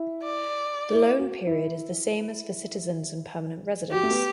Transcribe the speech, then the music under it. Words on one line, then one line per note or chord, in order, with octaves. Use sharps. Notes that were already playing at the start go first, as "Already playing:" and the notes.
The loan period is the same as for citizens and Permanent residents.
Already playing: E4
D5
E4
F#4
E4
F#4 G4
A3
B3